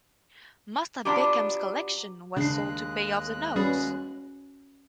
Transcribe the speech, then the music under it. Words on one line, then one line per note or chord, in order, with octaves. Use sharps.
Most of Beckman's collection was sold to pay off the notes.
F#3 B3 D4 D#4 F4 G4
D#2 C#3 G#3 D4 F#6 C7
G3 C#4 F#4 G#4 B4